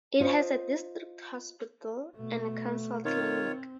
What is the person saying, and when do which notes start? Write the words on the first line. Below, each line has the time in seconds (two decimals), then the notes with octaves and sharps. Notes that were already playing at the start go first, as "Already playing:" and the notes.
It has a district hospital and a council clinic.
0.20 F4 C5 D#5
2.16 B2 A3
3.05 D#3 C4 F4 C#5